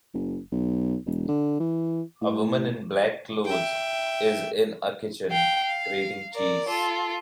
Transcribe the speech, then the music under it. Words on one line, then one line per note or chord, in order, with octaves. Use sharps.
A woman in black clothes is in a kitchen, grating cheese.
F#1
B1
E1
D3
E3
A2
E5 G5
F5 G5
F5
A#4 D5
F4 A4